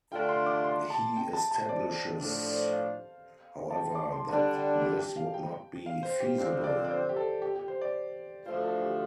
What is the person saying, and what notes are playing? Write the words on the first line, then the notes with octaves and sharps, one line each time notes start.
He establishes, however, that this would not be feasible.
D3 A3 D4 F4 G5
C6
D6
C6
A5
G5
A5
A5
C5
D5
D5
A2 F3 D4 A4
C5
F5
A5
G5
D6
C6
D3 G3 D4 A5
G5
G4
G4
F5
G5
F5
C5
G4
F2 D3 F3 C4 F4 C5
D5
D5
C5
G4
A4
G4
G4
C5
D5
D2 D3 F3 A3 F4 C5
A4
G4